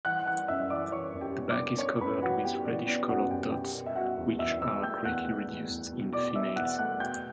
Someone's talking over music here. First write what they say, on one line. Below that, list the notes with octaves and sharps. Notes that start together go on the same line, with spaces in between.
The back is covered with reddish-coloured dots, which are greatly reduced in females.
E3 F#5 F#6
E3 F#5 F#6
F#2 E5 E6
E3 D5 D6
E3 C#5 C#6
F#2
G4 G5
B3
D5 D6
D4
D4 C#5 C#6
F#2 B4 B5
E3 F#4 F#5
B3 G4 G5
E3 D5
B3 D5
F#2 F#4 F#5
F#2 G4 G5
B2 G4 G5
B2
E5
B2 F#4 F#5
E2
E2 E5 E6
E2 E5 E6
A3 G5 G6
E2 F#5 F#6
A3
E2
E2
B2
B2 D5 D6
B2 E5 E6
E2 F#5 F#6
A3 F#5 F#6
B2 G5 G6